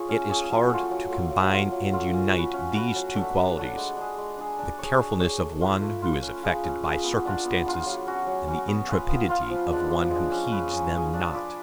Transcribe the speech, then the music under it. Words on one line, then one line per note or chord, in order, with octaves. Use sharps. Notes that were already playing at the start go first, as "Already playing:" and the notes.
It is hard to combine and unite these two qualities, the carefulness of one who is affected by circumstances, and the intrepidity of one who heeds them not.
Already playing: F4 G#4 C#5
C#4
G#4 C#5
F#3
A3 F4
F#3
A3 F4
F#3
A3 F4
F#3
A3 F4
C#4
F#4 B4
C#4
F#4 B4
F#3
A3 D4 F#4
F#3
A3 D4 F#4
G#3
D4 G#4
G#3
D4 G#4
D4
G#4 C#5
D4
G#4 C#5
A3
F4 B4
A3
F4 B4
C#4
F4 G#4 B4
C#4
F4 G#4 B4
B3
D4 F4
B3
D4 F4
F#3
C#4 F#4
F#3
C#4 F#4
B3
F4 B4 F5
B3
F4 B4 F5
F3
G#3 D4
F3
G#3 D4
C#4
G#4 B4
C#4
G#4 B4
D4
F4 B4 D5